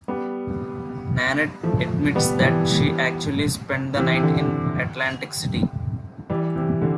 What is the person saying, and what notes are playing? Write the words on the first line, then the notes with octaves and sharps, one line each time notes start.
Nanette admits that she actually spent the night in Atlantic City.
G3 B3
F3 A3
G3 B3
E3 G3
C3 E3
C3
D3
E3 G3
C3 E3
D3